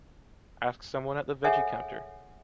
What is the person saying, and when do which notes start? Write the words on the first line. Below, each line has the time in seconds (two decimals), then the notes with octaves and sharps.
Ask someone at the veggie counter.
1.44 G#4 A4 C#5 E5 F#5 G#5